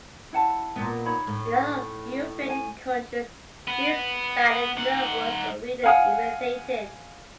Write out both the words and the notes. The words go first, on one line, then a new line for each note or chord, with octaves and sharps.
In other European countries, these Spanish novels were read and imitated.
E4 F#5 A5
A#2 B3
D#4 C#5 B5
A2
G#5
B3
D#4 F#5
F5 F#5 G#5 D#6 F6